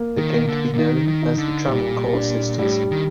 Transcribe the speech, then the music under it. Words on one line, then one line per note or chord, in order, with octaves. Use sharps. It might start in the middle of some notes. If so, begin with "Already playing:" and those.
They came to be known as the Travancore sisters.
Already playing: A#3
D#3
A#3
D3
D3
D#3 D#4
D#3
D#4
D3
A#2 G3
D4
A2 G3
D#3